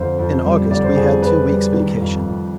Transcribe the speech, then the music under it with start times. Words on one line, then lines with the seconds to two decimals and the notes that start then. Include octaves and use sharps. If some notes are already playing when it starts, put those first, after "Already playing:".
In August we had two weeks' vacation.
Already playing: F2 D3 C5
0.19 F2
0.45 G3
0.71 D3 D5
0.84 C5
0.96 F2 G#4
1.22 F2 B4
1.49 G3
1.73 D#3
2.00 F2
2.26 F2